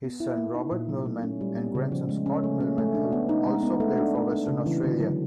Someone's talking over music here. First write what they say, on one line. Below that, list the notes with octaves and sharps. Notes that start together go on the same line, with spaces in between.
His son Robert Meuleman and grandson Scott Meuleman have also played for Western Australia.
B3
E4
A#3
D#4
A#2
F#3
A3
C#4
G3
B3
C#3
F3
G#3
C#4
A3
C#4
A3
D4
B3
D#4
G#3
B3
A3
D4
A3
D4
C#3
E3
D3
F#3